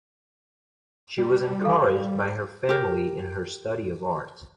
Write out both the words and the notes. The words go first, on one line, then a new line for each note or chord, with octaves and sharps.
She was encouraged by her family in her study of art.
G3
G4 A4 F5
G4 A#4